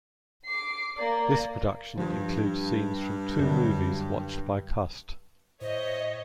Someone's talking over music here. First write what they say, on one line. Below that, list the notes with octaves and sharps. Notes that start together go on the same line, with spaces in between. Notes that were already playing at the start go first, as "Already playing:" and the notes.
This production includes scenes from two movies watched by Cust.
D6 C7
A#3 D5
G2 F3
F#2 D3
A2 C5 C#5 D#5 E5